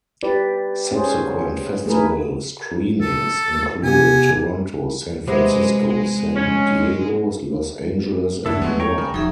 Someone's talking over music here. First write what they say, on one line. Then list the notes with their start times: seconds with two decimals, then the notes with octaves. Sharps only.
Subsequent festival screenings included Toronto, San Francisco, San Diego, Los Angeles and New York.
0.23 G4 B4 D5
0.91 C#4 G#4 C5
1.86 A3 G#4 A#4 B4
3.01 A4
3.83 C3 B3 G4 G#5
5.28 C3 G#3 B3
6.36 C#4
8.46 G2 F#3 D4 E4 A4 E5
8.62 E2 F#3 G#3 A3 B3
8.80 C#5 G5 A#5 C#6
8.98 C#3
9.14 D#1 F3 F#3 D#4 G#4 E5